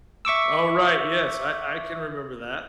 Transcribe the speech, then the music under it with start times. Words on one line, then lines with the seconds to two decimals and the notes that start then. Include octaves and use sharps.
Oh, right, yes, I I can remember that.
0.25 E5 C#6 D6 E6